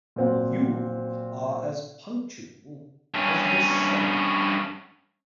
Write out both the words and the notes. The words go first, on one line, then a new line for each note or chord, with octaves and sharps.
You are as punctual as the sun.
A#2 F#3 C4 F#5
G2 C#4